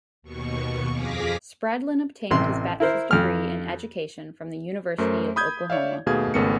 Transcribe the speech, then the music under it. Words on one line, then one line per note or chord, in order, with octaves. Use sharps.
Spradlin obtained his bachelor's degree in Education from the University of Oklahoma.
D#2 B2 C#6
F2 G#4 F5 D6 A#6 B6
A1 C3 C6
E4 A#4 C5
F2 F6
F#2 A3 A#4 C5
B5 D#6 G6 G#6
C#5 D5 E5 F5
D#2 B2 A3 G#4 F5 G#6
G#1 C#3 A3 B3 A#4 C#7